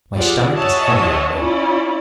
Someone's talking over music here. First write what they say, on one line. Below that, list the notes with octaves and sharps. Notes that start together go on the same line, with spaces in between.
My stomach is heavy in me.
F3 F4 G4 G#4 D5 F#5
C#5 D#5 E5 F#5 G#5 A5
C#4 E4 F4 C#5 D5